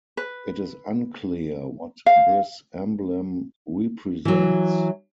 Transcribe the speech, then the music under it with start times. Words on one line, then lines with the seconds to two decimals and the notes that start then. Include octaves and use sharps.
It is unclear what this emblem represents.
0.17 B4
2.06 F5
4.25 E3 F#3